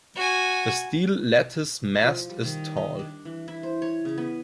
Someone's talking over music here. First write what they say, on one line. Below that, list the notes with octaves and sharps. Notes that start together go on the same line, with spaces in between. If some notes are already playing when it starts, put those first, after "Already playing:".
The steel lattice mast is tall.
F#4 G#5
F3
G3
D#3
D#4
D4
E3
E4
C5
C#5
C#3
B3